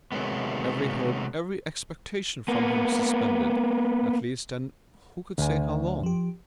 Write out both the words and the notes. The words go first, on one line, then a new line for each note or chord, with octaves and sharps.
Every hope, every expectation from him suspended, at least, and who could say how long?
C3 D#3 F#3 G#3 A3 B3
A#3 B3
D2 G#5
F3 G4